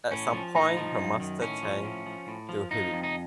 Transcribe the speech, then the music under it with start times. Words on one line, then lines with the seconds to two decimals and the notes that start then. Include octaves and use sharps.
At some point her master changed to Hewitt.
0.11 A2 C#4
0.33 F3
0.55 A2 D#4
0.77 F3
0.98 F#2
1.20 D#3
1.41 A2 C#4
1.63 F3
1.85 A2
2.06 F3
2.28 A2
2.49 F3
2.71 F3 D#4
2.93 F2
3.03 D#4